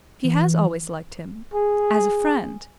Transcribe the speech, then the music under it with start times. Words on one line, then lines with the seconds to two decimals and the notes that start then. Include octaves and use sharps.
"She has always liked him--as a friend."
0.24 E3
1.54 G#4